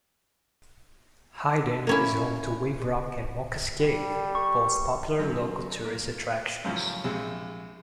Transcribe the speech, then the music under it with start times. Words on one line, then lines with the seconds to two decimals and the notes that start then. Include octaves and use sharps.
Hyden is home to Wave Rock and Mulka's Cave, both popular local tourist attractions.
1.87 A#3 C#4 E4
3.80 G3
4.35 C#6
5.19 F#2
5.85 A#3
6.64 C#2 F#2 A2 F3 C#4
7.04 A#1 C3 G#3